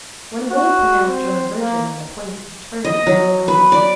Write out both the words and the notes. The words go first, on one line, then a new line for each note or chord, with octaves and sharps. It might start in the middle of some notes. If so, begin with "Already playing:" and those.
One would have pronounced her a virgin on the point of turning into a goddess.
F#4
C4
A#3
D#5
F#3
B4
D5